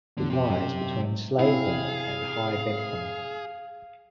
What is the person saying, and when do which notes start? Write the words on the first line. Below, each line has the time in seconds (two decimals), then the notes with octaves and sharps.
It lies between Slaidburn and High Bentham.
0.18 E2 A2 D3
0.30 F2 C3 G4
0.50 F#2
1.39 C3 C4 E4 G#4 F5